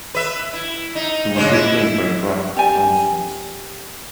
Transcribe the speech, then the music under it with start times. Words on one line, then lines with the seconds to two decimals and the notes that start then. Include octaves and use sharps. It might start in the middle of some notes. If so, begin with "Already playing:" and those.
He was replaced by Brad Ausmus.
0.15 B4 E5
0.53 E4
0.95 D#4
1.36 C#3 G#3 C5
1.53 E4
2.56 G4 D5 G#5